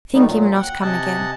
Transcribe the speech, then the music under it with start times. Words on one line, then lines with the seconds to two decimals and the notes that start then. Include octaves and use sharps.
Think him not come again.
0.14 D3 D#3 G3 A3 B3 D#4
0.28 A#2 F#3
0.55 F#5 G5
0.82 C3 D#5 F#5 G#5 A5